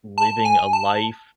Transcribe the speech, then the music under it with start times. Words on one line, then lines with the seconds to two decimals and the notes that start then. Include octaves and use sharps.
living a life
0.18 A5
0.45 G#5
0.73 A5